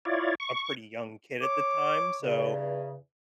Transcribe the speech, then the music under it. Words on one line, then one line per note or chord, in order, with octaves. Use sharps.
a pretty young kid at the time, so
E4 F4 C#5 D5
C#6
C#5 D6
E2 G2 C#3